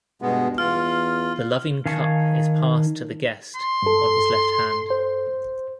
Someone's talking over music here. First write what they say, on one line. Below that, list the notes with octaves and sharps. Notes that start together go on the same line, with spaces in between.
The loving cup is passed to the guest on his left hand.
G2 B2 G#3 B3
E2 F4 F6
D#3 F5 G#5 A5 C#6
C6
G2 A4
C5